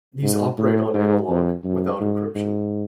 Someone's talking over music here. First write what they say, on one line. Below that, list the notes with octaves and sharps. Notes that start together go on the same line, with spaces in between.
These operate on analogue, without encryption.
G#2
A2
G#2
F2
F#2
G#2
G#2